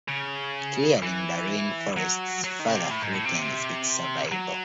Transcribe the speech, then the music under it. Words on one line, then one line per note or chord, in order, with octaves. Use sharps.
Clearing the rain forests further threatens its survival.
C#3
E3
F#3
F#3
D#3
C#3
C3
A2
G#2
A2
C3
F#3